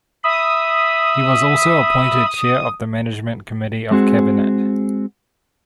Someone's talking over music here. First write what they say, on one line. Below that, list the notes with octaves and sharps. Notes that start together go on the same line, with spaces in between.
He was also appointed Chair of the Management Committee of Cabinet.
E5 B5 D#6
G#3 C4 F#4 G#4